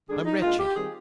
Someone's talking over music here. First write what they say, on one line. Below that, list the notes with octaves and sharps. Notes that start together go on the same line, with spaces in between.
I'm wretched.
D3 G3 D4 G#4
D#4
A#2 G#3 D4 F4
G4
D#3 G3 C4 G#4